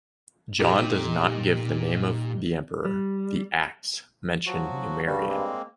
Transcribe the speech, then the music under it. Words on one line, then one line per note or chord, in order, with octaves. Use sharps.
John does not give the name of the emperor; the "Acts" mention Numerian.
A#2 D#4 G4
G3
F3 F#3 F#4
G2 C#3 G3 F#4
G#3 A#3 C4